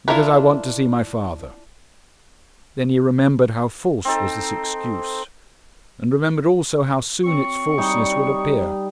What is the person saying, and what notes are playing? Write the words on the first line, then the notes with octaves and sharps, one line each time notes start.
'Because I want to see my father.' Then he remembered how false was this excuse; and remembered also how soon its falseness would appear.
D4 E4 F4 A#4 B4
C4 D#4 A4
F#3 C4 C#6
G3 D#4